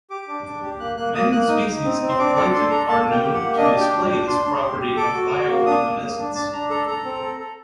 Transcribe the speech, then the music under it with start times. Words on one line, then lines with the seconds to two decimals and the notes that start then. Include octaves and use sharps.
Many species of plankton are known to display this property of bioluminescence.
0.10 G4 D6
0.28 D4
0.45 D4
0.62 G4
0.79 A#3 F#6
0.97 A#3 F#6
1.14 A#3 D#6
1.31 A#3 F#6
1.42 F#6
1.49 D#4 D#6
1.67 D#4
1.84 C4
2.01 C4
2.08 C6
2.19 D4 D6
2.36 A4 D6
2.53 D4 C6
2.70 A4 A#5
2.88 A#3 A5
3.05 A#3
3.11 G5
3.23 G4
3.34 F#5
3.40 A#3
3.57 D4 D#5
3.75 G4
3.81 G5
3.92 D4
4.04 G5
4.09 D4
4.27 D4 C6
4.44 D4
4.61 G4
4.79 G4
4.96 A4 D6
5.13 F#4
5.31 F#4
5.49 A#3
5.66 D4 D#6
5.83 A#3
6.01 A#3
6.18 D4
6.35 D4 A5
6.52 D4 A#5
6.70 A4 A#5
6.87 A4 A#5
7.05 C4
7.22 A4
7.39 A4